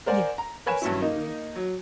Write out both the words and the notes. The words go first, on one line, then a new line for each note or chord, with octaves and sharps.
Yeah. Absolutely.
A#4 C5 D5 F#5 G#5
A#5
A#4 B4 C#5 G#5 B5 E7
G2 F#3 C#4 E4
A#3 D#4
F#3